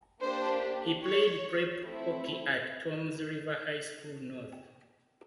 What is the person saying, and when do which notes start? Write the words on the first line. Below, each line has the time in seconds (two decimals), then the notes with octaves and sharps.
He played prep hockey at Toms River High School North.
0.22 A#3 D4 G4 C5
1.03 C#5
1.83 A3 C4 E4